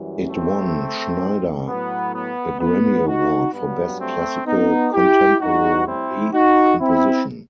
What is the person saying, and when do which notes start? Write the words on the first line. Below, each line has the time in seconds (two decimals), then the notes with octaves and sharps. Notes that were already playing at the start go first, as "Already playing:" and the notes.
It won Schneider a Grammy Award for Best Classical Contemporary Composition.
Already playing: F#2 E3 G3
0.27 A3 C4
1.67 A2 F#3 B3
2.13 B3
2.60 B3
3.07 D#4 F#4
3.53 G2 F#3 B3
4.00 A3 C4
4.47 B3 D#4
4.93 E4 G4
5.40 A2 G3 D#4 F#4
5.86 C4 E4
6.33 D#4 F#4
6.80 C4 E4